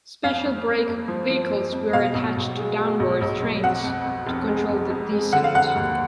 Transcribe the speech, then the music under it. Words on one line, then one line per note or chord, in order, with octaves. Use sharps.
Special brake vehicles were attached to downwards trains to control the descent.
F2 F5
F2
A#3
F2
F3
F3
F2
F2
B2 F5
B1
B1
G#3
G#3
B1
B1
B1
F2 F#5
F2
F2
F1
G#3
F2
F2
G#3
D3 F#5
F5
F1 F#5
D#2